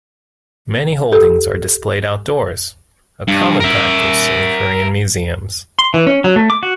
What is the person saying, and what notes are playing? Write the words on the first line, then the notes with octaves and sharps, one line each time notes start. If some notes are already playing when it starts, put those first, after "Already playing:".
Many holdings are displayed outdoors, a common practice in Korean museums.
G4 A4
G2
A#4 E5
C6
E3
C#4
F#3
A3
D6
F#4